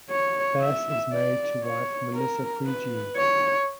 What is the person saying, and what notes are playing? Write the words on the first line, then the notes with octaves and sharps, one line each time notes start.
Bass is married to wife, Melissa Prejean.
C#5
E5
D5
C#5
A#4
B4
C#5